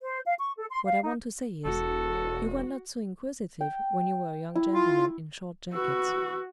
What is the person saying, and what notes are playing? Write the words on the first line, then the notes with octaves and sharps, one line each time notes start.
What I want to say is: you were not so inquisitive when you were a young gentleman in short jackets.
C5
F5
C#6
A4
C6
F5
D#4
E1 F#4 A4
G5
E4
F4
F#4 B4 C#6 E6